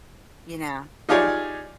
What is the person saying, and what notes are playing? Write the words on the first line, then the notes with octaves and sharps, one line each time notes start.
you know?
D#4 F4 G4 G#4 C#5 D5